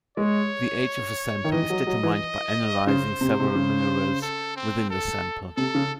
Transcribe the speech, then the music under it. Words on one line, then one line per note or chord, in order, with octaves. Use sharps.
The age of a sample is determined by analysing several minerals within the sample.
G#3 C#5
D#3
E3 D#5
F#3
F#3
E3
C#3 C5
C3
C3
C#3
A4
C4
A4
C3 A4
C#3